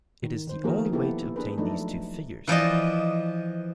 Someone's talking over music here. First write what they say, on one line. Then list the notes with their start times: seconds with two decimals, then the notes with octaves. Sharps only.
It is the only way to obtain these two figures.
0.23 D#3
0.47 D#3 C5
0.64 F3 A#3 D#4 G4 G#4 A#4
0.93 B3 E4 G4 A4
1.36 D4 G#4 A#4 B4
1.58 F3 F#3 A3 D4 D#4
2.47 E3 F3 D5 D#5